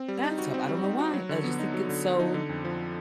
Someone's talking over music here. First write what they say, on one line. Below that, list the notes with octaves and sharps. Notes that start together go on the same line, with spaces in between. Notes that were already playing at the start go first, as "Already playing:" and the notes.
bathtub." I don't know why. I just think it's so
Already playing: C4
G3
D#4
F#4
C4
G3
D#4
F#4
F#3
D3
B3
D#4
F#3
D3
B3
D#4
D3
F2
F3